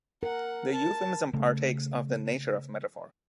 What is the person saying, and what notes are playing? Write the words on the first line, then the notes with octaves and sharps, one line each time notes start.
The euphemism partakes of the nature of metaphor.
A#4 F#5
A5
C#3 A3